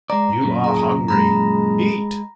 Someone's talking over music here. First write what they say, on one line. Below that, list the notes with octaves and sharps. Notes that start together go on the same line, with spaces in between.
"You are hungry; eat!"
G#3 D5 A#5
F#2 A#2 D3
G#4 A#5
G#3 A#5 B5 A#6